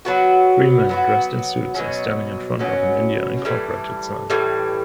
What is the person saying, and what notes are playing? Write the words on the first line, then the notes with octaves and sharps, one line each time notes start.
Three men dressed in suits are standing in front of a India Inc. sign.
F#3 B3 F#4
F#3 B3 F#4
B2 F#3 C#4
B2 F#3 C#4
A2 E3 G3
A2 E3 G3